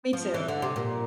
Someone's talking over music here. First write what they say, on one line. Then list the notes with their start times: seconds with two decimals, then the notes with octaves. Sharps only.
Me, too.
0.13 F3
0.34 E3
0.48 D3
0.62 C3
0.76 A#2